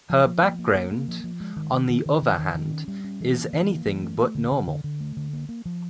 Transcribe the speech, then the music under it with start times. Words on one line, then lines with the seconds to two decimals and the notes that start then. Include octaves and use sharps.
Her background, on the other hand, is anything but normal.
0.10 F3
0.26 F3
0.42 A#3
0.59 A#3
0.75 A#3
0.91 A#3
1.08 F3
1.24 F3
1.40 G#3
1.56 D#3
1.74 D#3
1.89 D#3
2.06 D#3
2.22 D#3
2.38 D#3
2.55 D#3
2.71 C#4
2.88 G3
3.04 C#4
3.20 E3
3.36 A#3
3.53 E3
3.69 A#3
3.86 E3
4.02 A3
4.18 A3
4.35 D3
4.51 D3
4.67 D3
4.84 D3
5.00 A3
5.17 D3
5.33 A#3
5.49 A#3
5.65 F3